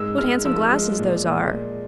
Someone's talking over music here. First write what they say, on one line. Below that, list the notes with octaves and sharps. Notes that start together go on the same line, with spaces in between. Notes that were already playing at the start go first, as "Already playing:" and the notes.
What handsome glasses those are!
Already playing: G#2 G#3 E6
G#3 F6
F3 E6
G#3
A#2
A#2
A#2